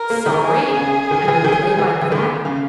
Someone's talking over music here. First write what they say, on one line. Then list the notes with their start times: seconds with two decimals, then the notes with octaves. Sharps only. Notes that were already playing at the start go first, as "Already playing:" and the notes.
"Sorry!--and you play like that!"
Already playing: A#4
0.10 A#3
0.26 D#3
0.44 G#4
0.77 C#3
1.11 D#3
1.28 E3
1.45 D#3
1.78 E3
2.02 E3
2.12 D#3
2.45 C#3